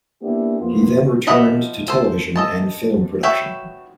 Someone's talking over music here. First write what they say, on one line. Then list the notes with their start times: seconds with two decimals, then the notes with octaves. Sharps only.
He then returned to television and film production.
0.22 A#3 B3 D4 E4 G4
0.59 F2 A#3 B3 F4
1.27 F3 D#5 E5 F#5 B5
1.88 A4 C5
2.36 A4 D#5 A5
3.23 F#4 B4 C#5 E5 G5